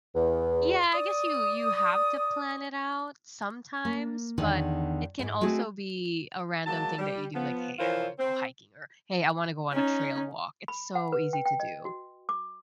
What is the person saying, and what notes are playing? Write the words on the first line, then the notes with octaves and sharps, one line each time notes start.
yeah, I guess you you have to plan it out sometimes, but, it can also be a random thing that you do, like, "Hey, I wanna go hiking," or, "Hey, I wanna go on a trail walk." It's so easy to do.
E2
D5 D#6
A#3
E2 D3 D#3
F2 G#2
G#3 A3 C4 F#4 G#4
F#3 G#3 A#3 A5
G3
F3 B3
E3 F3 F4 A#4 C5 C#5
C4
C#4 D#4
B5
F#5
B4
G5
G5
D#5
F#4
D6